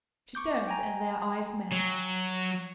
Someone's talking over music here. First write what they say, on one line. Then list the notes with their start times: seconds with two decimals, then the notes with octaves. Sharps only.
She turned and their eyes met.
0.35 C#6 D6 G6
0.68 G5 G#5 A#5
1.72 F#3